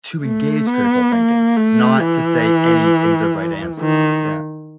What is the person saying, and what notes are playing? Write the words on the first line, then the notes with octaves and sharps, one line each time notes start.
to engage critical thinking, not to say anything's a right answer. Yeah.
A3
B3
A#3
A3
E3
D#3